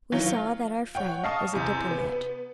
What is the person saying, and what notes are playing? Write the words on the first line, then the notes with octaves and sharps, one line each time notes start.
We saw that our friend was a diplomat.
D#3 E3 F#3 F4 C#5
F4
C#5 F#5 G5
D#5 F5 A5 C#6 D#6
E2 C3
B3